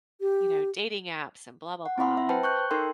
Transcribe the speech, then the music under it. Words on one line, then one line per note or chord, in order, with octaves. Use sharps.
you know, "dating apps, and blah blah blah," and,
G4
F#5
C4 E4 F#5 B5 C6
E5
B4 C5 G5 A5
C#6 F#6 G6
D#4 A4 A#4 G5 C6